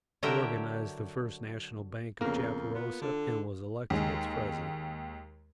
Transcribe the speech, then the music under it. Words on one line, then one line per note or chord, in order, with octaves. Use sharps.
He organised the First National Bank of Chaparosa, and was elected its president.
D3 F#3 G4 A#4 E5 G5
F2 C#3 A#3 B3 A#4
B3 F4
D3
D#2 G#3